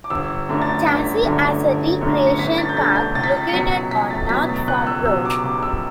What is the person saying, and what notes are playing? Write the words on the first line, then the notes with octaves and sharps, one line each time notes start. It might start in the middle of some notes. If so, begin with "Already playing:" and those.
Chazy has a recreation park located on North Farm Road.
D6
G1 E6
F#2 D3 A3 D4
A6
G1 B6
F#2 D3 A3 D4
G1
F#2 D3 A3 D4
C#7
G1 B6
A6
G6
F#2 D3 A3 D4 A6
G6
C#2 A6
B6
A6
C#7
B2 F#3 B6
C#2 B6
A6
B2 F#3 B6
A6
C#2 F#6
E6
B2 F#3 E6
D6
C#2 D6
E6